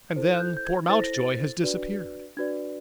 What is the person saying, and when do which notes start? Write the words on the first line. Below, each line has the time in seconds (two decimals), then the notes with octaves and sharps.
And then poor Mountjoy has disappeared.
0.16 E4 A4 C5
0.34 F#6
0.40 G6
0.57 G6
0.65 G#6
0.89 E4 A4 C5 A6
1.02 A#6
1.14 A6
1.63 D4 F#4 B4 D5
2.37 D4 F#4 B4 D5 G#6